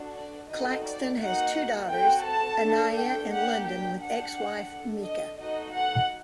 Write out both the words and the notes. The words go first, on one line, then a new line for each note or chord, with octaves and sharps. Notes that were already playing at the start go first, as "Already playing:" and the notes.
Claxton has two daughters, Aniya and London with ex-wife Meeka.
Already playing: D4 F#4 A4
D5
C4 D#4 F#4 A4 D#5
D5
A#3 D#4 F#4 F#5
C4 F#4 A4 G5
A5
A3 D4 A4
G5
A#3 D4 G4 F#5
G5
D4 G4 F#5
D4 A4
D#5
A3 D#4 F#4 A4 D#5
F#5